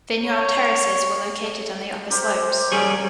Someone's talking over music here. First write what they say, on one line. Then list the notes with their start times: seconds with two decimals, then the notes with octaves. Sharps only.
Vineyard terraces were located on the upper slopes.
0.25 C#5
2.10 G4 A#4 C5
2.72 G3 G#4 C#5